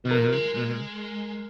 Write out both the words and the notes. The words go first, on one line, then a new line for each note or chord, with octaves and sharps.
Mhm, mhm.
D#3
F3 A#4
G#3
G#3